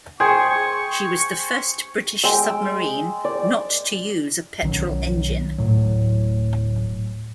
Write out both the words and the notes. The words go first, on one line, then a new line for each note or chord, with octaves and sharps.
She was the first British submarine not to use a petrol engine.
G#4 C5 G5 G#5 C#6
G#3 G5 E6
D5
B1 D#3 F#3
D1 D#2 A2 F#3